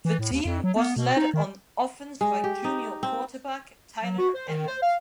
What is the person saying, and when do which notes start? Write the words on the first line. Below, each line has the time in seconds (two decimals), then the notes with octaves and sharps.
The team was led on offense by junior quarterback Tyler Emmert.
0.05 E3
0.19 A2
0.31 D#2
0.45 F2
0.64 F#3
0.76 B3
0.97 B2
1.17 D#4
1.34 D#3
2.21 G#3
2.44 G4
2.64 D#4
3.03 C4
4.03 F#3
4.19 F#4
4.34 C5
4.49 D#3
4.67 C5
4.82 F5